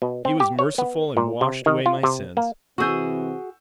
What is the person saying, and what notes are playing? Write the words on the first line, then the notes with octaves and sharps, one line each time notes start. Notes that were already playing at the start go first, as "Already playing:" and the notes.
He was merciful and washed away my sins.
B2
C4
G4
C#5
B3
A#2
C3
D#3
F4
C3
A#3
C3 E3 C4 F#4 G#4 C#6 E6 G6